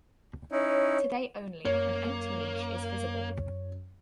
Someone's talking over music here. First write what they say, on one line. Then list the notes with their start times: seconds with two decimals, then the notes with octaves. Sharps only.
Today only an empty niche is visible.
0.52 C#4 D#4 E4 C#5
1.65 F#2 A#3 C#5